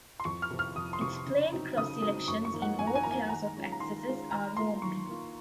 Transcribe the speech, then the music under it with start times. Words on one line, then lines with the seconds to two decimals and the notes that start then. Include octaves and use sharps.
Its plane cross selections in all pairs of axes are rhombi.
0.20 C6
0.25 F2 C#6
0.42 F6
0.50 C3 F3
0.59 F6
0.76 F2 D#6
0.93 C6
1.01 C3 F3 C#6
1.27 C#3
1.52 F#3 C4 D#4
1.77 C#3 D#6
2.02 F#3 C4 D#4 D#6
2.28 F#2 C#6
2.45 C#6
2.54 F3 A#3 D#4
2.62 F#5
2.79 F#2 G#5
2.87 A#5
2.95 G#5
3.03 F3 A#3 D#4 A#5
3.12 G#5
3.29 D#3 A#5
3.56 G#3 C#4 F4
3.72 A#5
3.80 D#3 C6
4.06 G#3 C#4 F4
4.31 D#3 A#5
4.56 A#3 F4 C6
4.82 D#3 C#6
5.07 A#3 F4